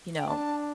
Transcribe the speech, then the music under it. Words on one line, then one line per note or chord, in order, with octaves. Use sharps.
you know,
G5
D4 A5